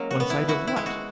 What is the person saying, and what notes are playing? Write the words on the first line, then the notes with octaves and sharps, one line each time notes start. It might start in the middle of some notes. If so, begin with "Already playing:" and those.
'One side of WHAT?
Already playing: F#3 G#3 A#3 C#4 A#4
F#4
B3
E4
E4 F#4
E4
G#3
F#4